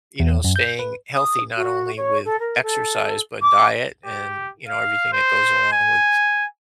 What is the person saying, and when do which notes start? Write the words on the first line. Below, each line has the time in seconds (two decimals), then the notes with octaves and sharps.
you know, staying healthy not only with exercise, but diet and, you know, everything that goes along with
0.20 E2
0.44 F#2
0.56 G6
0.79 B4
1.15 D#6
1.57 F#4
1.97 C#5
2.25 A4
2.40 A#4
2.63 A4
3.42 D6
4.05 G4
4.68 F5
5.13 C5
5.72 G#5